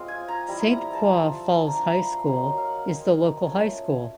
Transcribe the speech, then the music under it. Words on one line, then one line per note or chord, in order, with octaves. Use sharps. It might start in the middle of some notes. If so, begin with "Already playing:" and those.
Saint Croix Falls High School is the local high school.
Already playing: G#3 C4 F4
G#5
A#5
G3 C4 E4 B5
A#5
A#5
A5
F3 A3 C4 F4
A3 D4 F4 A#5
A#5
B5
C6
F#3 A#3 D#4 A#5
G5
F5
F#5
G#3 C4 D#4
A3 C#4 F4